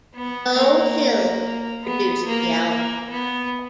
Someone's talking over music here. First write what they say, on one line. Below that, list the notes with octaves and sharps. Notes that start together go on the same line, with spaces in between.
Beau Hill produced the album.
B3
A#3
B3
A#3
A#3
B3